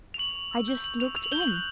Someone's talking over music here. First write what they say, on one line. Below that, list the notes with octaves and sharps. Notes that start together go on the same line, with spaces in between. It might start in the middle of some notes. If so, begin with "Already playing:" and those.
"I just looked in."
F7
C#6 F#7
C#6
E6
G6
C#6 F#7
C#6 F7
E6 F7
F#7
G6 G7
F#7
F#6 F7